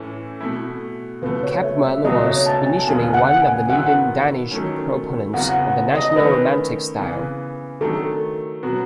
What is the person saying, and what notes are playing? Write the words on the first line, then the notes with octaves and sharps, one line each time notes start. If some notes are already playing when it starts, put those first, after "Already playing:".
Kampmann was initially one of the leading Danish proponents of the national romantic style.
Already playing: A2 E3 A3 C#4
B2 A3 E4
C#2 B2 A3 B4
C#5
E5
E5
C#2 B2 F#3 A3 D#5
C#5
A5
G#5
A5
D#2 C#3 G#3 B3 G#5
F#5
G#5
G#2 D#3 F#3 B3 E4 F#5
D#3 F#3 A3 C#4
E2 C#3 F#3 B3 F#4 F#5
F#5
D#5
D#3 A3 C#4 E4 B4
C#3 E3 B3
D#3 F#3 A3 A4
B2 F#3 B3 F#4